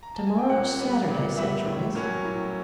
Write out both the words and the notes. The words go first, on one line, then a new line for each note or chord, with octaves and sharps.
"To-morrow's Saturday," said Joyce.
A#5
A5
G#5
G5
A#2 F#5
G3 B3
A#2
G3 B3 E5
A2
F#3 A#3 C#4
A2